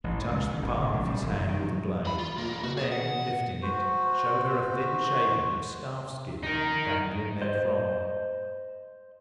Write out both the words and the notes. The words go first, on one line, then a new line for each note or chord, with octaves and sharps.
He touched the palm of his hand with the blade, and then, lifting it, showed her a thin shaving of scarf-skin dangling therefrom.
A1
G#2
C#2
D#3
G1
C#3
A#1
G3
E1
F#2
D#3
F#3
F#3 B5
F4
B1 A#3
F#4
G#4
F#5
F#4 C5
D#4 A#4
C5 D#5